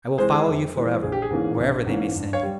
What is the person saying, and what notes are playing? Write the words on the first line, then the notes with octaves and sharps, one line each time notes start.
I will follow you for ever, wherever they may send you.
E3 G#3 C4 G#4 C5
G#4
F2
E3 G#3 C4
A#1 G#4
G4
G#4
G#2 E3 A#3 C#4
A#1
G#2 E3 A#3 C#4
G2
C#5 F5
G3